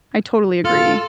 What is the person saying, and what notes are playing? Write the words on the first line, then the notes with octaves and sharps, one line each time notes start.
I totally agree.
F4 A4 F6